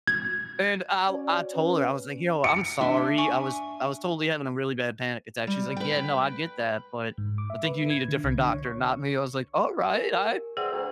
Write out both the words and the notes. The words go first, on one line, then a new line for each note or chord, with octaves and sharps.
And I'll I told her, I was like, "Yo, I'm sorry, I was I was totally having a really bad panic attack," she's like, "Yeah, no, I get that, but I think you need a different doctor, not me." I was like, "Alright, I
G#6
C#4 F#4 D5
C#4 B4
C#7
D4 E5 C6
G#5 C#6
G3
B4 G5
G#2
D6
E5
B4
G#6
D3
C2
D3
C#5
C#6
G4 A#4 G#5
C4 G#4 B4 D5 E5 F#5
D2